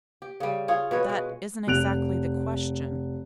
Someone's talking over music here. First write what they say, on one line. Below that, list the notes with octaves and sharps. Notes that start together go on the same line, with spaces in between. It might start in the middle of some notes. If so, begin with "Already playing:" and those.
'That isn't exactly the question.
G4
C#3 G3
F4 G#4 C#5 F5
B2 B4 C#5
G#3
F1 F#6 D7 F7